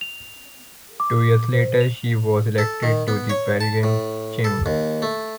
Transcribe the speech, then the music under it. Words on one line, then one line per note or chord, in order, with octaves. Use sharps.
Two years later she was elected to the Belgian Chamber.
F7
D6
C5
F7
A4
D#3
B3
C#5
A5
A2
A4
D#2
A3